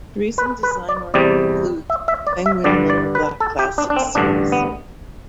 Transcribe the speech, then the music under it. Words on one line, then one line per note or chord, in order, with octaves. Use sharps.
Recent design work includes the Penguin Little Black Classic series.
B4
B4
D5
E2 C3 G3 D5
E5
E5
D5
E5
G2 D3 G3 D5
D5
B4
A4
G4
D4
D4
C4
A1 G2 D3 D4
B3